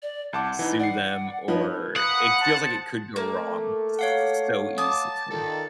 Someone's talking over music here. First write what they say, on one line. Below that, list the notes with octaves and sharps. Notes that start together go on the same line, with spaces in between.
sue them, or it feels like it could go wrong so easily.
D5
C2 F#5 A5 D6
E3 D#4
D5 F#5 C7
F3 D#4 B4 C#5
A#3 B4 F#5 D#6
C5 A5
A3 A#3
C#5 F5 F#5
A5 D6 D#6
A#2 D#3 A4